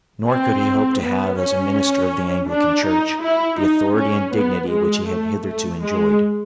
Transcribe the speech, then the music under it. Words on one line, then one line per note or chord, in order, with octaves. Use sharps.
Nor could he hope to have, as a minister of the Anglican Church, the authority and dignity which he had hitherto enjoyed.
C4
B3
C#4
D4
D#4
E4
D#4
C#4
B3
G#3
A3
A3
G#3